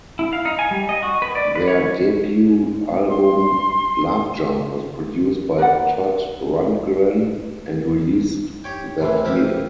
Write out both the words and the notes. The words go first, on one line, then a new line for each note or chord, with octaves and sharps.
Their debut album, "Love Junk", was produced by Todd Rundgren and released that year.
E4
F5
D#4
G#5
G3
D#5
F#4
B4
D5
B4
C#5
C6
A#4 B4 D5 F#5
G4 C#5 G5
A2 C3 E3
A1 F2 A#3 G4 E5